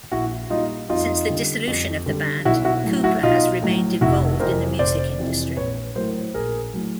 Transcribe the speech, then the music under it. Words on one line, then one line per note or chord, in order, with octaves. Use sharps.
Since the dissolution of the band, Cooper has remained involved in the music industry.
A#1 E4 F#4
A#2 G3 D#4 F4
F2 D#4 F4
D3 G3
F2
D3 G3
B1 E4 F#4
E4 F#4
A2 F#3
E4 F#4
B1 D#4 F4
A2 F#3
F1 E4 F#4
F2 C3 E3 A#4 C5
F1 C5 D5
F2 C3 E3
A#1 B4 C#5
A2 F#3 A#4 C5
A#1 G#4 A#4
A2 F#3